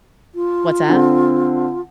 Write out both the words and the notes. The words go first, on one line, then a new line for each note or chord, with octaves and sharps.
What's that?
F4
D3 C4